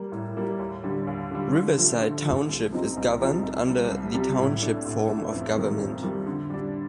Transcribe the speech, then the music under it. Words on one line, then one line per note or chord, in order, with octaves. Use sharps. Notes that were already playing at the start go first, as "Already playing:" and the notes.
Riverside Township is governed under the Township form of government.
Already playing: G3 A#3
A2
G3 A#3
D#2
D3 G3
D#2
D3 G3
D3
F3 A3
D3
F3 A3
C2
C3 F3 C4 D#4
C2
C3 F3 C4 D#4
C2
C3 G3
C2
C3 G3
A2
A3 D4
A2
A3 D4
F2
D#3 G3
F2
D#3 G3
D3
G3 D4